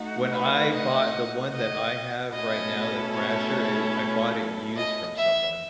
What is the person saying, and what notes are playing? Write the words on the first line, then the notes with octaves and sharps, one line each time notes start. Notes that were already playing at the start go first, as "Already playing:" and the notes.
When I bought the one that I have right now, the thrasher, it I bought it used from someone
Already playing: A3 D#4 F#4
B4
D#5
D#5
B2 A3 C#4 E4 A4 D#5
C#5
D#5
E5